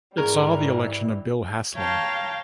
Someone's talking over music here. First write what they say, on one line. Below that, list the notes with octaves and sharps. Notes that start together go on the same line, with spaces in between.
It saw the election of Bill Haslam.
G#2 E3 G3 C#4 G#4 A#4
C#5 F5 G5 A5 A#5